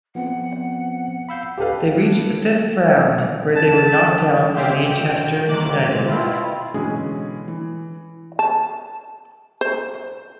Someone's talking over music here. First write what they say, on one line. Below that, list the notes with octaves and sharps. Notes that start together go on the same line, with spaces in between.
They reached the Fifth Round, where they were knocked out by Manchester United.
F3 B3 C4 F#5
F5 B5 E6 G6
G4 A4 B4 F5
A5
G4 G#4 C5 E5 F5 G5
D2 G5
G#2 C3 D#3 A#3 D6 F#6
A#2
B2 C4 E4 F4
B2 D3 E3 G#3 C#4 G#4
E3
A5
C5